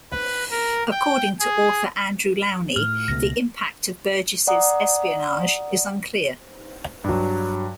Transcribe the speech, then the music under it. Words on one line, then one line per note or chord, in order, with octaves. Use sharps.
According to author Andrew Lownie, the impact of Burgess's espionage is unclear.
B4
A#4
G5
G#4
A2 F6
C#2 B2 A3 A#6
D5 F#5 A#5 D#6
G2 F#3